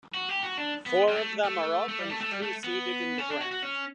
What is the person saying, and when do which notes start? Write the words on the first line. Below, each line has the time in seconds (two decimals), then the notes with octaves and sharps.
Four of them are up and two seated in the ground.
0.14 F#4
0.29 G4
0.43 F#4
0.58 D4
0.86 B3
1.08 G3
1.16 A3
1.45 A3
1.89 A3
1.99 G3
2.10 A3
2.21 A3
2.32 G3
2.42 A3
2.64 B3
3.18 C#4
3.30 D4
3.41 F#4
3.51 F#4
3.63 C#4